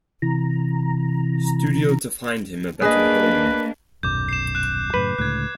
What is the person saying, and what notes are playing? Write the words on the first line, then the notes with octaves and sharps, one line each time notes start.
Studio to find him a better home.
C3 E3 A#5
A#3 D4 G#4 B4 D#5
D#1 B1 F#2 D6 G6
C7 E7
F#6 E7
F#2 A2 C#3 B4
C#2 A2 D3 F#6 G#6